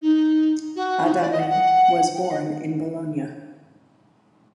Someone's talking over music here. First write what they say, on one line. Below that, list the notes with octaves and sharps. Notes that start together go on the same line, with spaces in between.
Adami was born in Bologna.
D#4
F#4
D#4
F#4
D5
D#5
F#5
F#5
G5
F#5
D#5